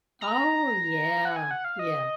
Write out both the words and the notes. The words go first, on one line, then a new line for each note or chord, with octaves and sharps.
Oh, yeah. Yeah.
A#5
F#5
G#5
F#5
F5
D#5